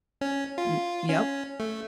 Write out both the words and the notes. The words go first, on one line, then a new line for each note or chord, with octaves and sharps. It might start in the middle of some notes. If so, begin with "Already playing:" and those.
Y yep.
C#4
F4
C#4
A3